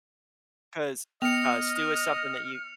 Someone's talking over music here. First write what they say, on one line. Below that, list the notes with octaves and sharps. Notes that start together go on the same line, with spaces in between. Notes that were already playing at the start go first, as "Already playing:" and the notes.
'cause, uh, stew is something that you
B3 D#5 F6 C#7 F7